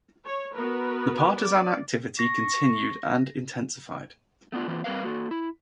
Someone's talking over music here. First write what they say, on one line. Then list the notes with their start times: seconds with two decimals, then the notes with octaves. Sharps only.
The partisan activity continued and intensified.
0.24 C#5
0.55 B3 F#4 A#4 B4
1.38 D5
2.19 C#6 A#6
4.52 A3 B3 D4 F4
4.68 E3 A#3 C4 F4
4.84 G3 C4 A#4 B4 F5
5.03 A#3 F#4 A4
5.31 E4